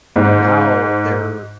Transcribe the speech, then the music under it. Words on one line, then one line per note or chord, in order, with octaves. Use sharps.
now they're
G#2